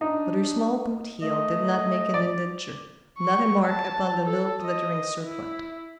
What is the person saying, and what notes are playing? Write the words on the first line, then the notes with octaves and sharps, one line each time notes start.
But her small boot heel did not make an indenture, not a mark upon the little glittering circlet.
D4 D#4
A3 D#5
D5
C#6
A5
A4
D#5
E4